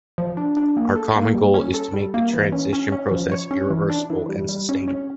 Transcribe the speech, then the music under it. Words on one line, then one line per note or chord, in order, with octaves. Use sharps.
Our common goal is to make the transition process irreversible and sustainable.
F3
D4
D4
A#3
A4
A#3
G3
C#4
A4
G3
A#3
E3
C#4
C#4
C#4
F3
C#5
C#4
E3
D4
E3
G3
G3
C#4
C#4